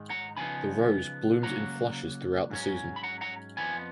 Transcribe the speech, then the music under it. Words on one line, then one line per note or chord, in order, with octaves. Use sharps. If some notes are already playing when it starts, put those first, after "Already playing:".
The rose blooms in flushes throughout the season.
Already playing: G#2 D#3 G#3
F#5 A#5
C#3 F3 B3 D#4 G#5 B5
C#3 F#3 A#3 F#5 A#5
G#2 F#3 C#4
B5
F#5 A#5
F#5 A#5
F2 F3 B3 G#5 B5